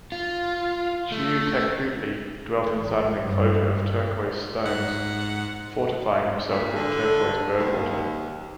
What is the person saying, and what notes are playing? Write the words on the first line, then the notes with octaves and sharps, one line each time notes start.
Xiuhtecuhtli dwelt inside an enclosure of turquoise stones, fortifying himself with turquoise bird water.
F4
A3
A1
G2
G2
G#2 F#5
A#2
D3
D#2